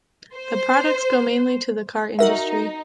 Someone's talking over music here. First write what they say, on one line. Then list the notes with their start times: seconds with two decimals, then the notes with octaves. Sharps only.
The products go mainly to the car industry.
0.35 C5
2.19 D#4 F#4 A#4 E5